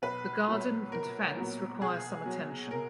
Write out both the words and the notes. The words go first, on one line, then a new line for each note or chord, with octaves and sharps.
The garden and fence require some attention.
B1 B4
A#2 F#3 B3
B1 A#4
A#2 F#3 B3
B1 G#4
B2 F#3
A#4